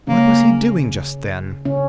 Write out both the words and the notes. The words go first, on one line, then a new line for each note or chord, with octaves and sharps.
What was he doing just then?
C#3 A#3 C#4
C#3 C#4